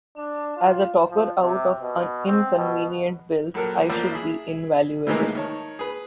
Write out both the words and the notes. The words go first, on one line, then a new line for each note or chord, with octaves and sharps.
As a talker-out of inconvenient bills I should be invaluable.
D4
F4
F3
C3
B2
C4
B2
A#1 F#3 A4 A#4 F#6
A1 F3 A#3 D5 E6
E4 G#4
A2 C3 D#3 E3 G#3 A#3
D#3 C#5 A5
G#4 B4